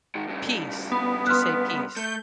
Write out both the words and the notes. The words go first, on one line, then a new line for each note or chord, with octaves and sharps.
Peace, just say, peace.
D#3 G#3
G2 C#3
B3
C6 F6 F#6
A3 G6